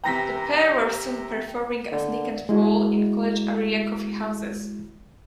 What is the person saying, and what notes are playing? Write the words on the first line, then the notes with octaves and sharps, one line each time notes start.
The pair were soon performing as Nick and Paul in college-area coffee houses.
C3 E3 G5 A#5 A#6 B6
D3
G#3 E4 F#4